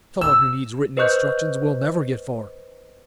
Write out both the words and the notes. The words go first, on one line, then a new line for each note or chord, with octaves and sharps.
Someone who needs written instructions will never get far.
E6
B4 C5 D#5 C#6 F#6 G6